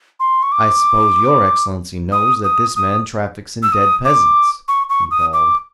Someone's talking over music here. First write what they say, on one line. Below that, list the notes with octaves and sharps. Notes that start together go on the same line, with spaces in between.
"I suppose your Excellency knows that this man traffics in dead peasants?" he bawled.
C6
C#6
D6
D#6
D#6
D#6
E6
D#6
D6
C#6
C#6
D#6
D6